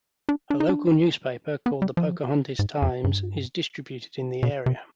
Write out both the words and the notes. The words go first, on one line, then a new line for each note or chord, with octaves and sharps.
A local newspaper called "The Pocahontas Times" is distributed in the area.
D4
D4
D#4
D4
B3
G3
F3
G#2
F2
G2
B2
C3